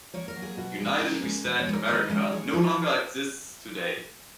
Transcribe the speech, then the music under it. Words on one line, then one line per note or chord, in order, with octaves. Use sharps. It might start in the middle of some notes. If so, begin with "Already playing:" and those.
United We Stand America no longer exists today.
A#3 C#5
A#4
F#3
G#4
B2 F#4
G#3
A#4
C#3
G#3
B2 B4
C#5
G#3
A#4
D#3 B4
G#3 D#5
G#3 C#5
F3 C#5